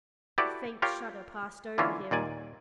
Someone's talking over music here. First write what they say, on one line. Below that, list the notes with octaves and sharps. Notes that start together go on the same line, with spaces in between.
A faint shudder passed over him.
E4 F#4 G4 A4 B4 D5
F4 G4 A#4 C#5 F5 G5
D3 E3 A#3 C#4 E4 F4
D#2 A#2 D5 G#5